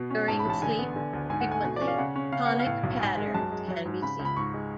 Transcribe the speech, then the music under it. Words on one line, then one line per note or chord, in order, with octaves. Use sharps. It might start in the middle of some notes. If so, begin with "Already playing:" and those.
During sleep, frequently, tonic patterns can be seen.
Already playing: B2 B3
C#4
G#2 A5
B5
A1 A5
D3 G#5
B3
D3
D2
G#2 G#5
F#5
A3 G#5
B2
C#4 D5
F5
C#3 F#5
C#4
C#3 F5
B3 F#5
F5
A2
B1
G#2 G#5
G#3
F#2 A5
G#3
F#3
G#2
C#3 B5
C#2
B5
G#2 C#6
G#3